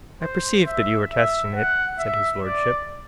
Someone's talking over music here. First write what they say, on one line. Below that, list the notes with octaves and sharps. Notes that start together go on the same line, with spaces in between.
"I perceived that you were testing it," said his lordship.
C5
E5
E5
F#5
E5
D5